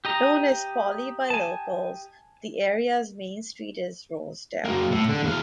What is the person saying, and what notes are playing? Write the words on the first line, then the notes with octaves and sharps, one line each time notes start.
Known as Poly by locals, the areas main street is Rosedale.
G4 D#5 A#5
G#5 A5
F#3 A#3
A2
D3
E2 F5